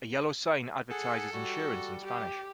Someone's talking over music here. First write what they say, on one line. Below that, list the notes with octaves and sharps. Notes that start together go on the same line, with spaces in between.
A yellow sign advertises insurance in Spanish.
G#4 A4 F#5
G3 F#4
G4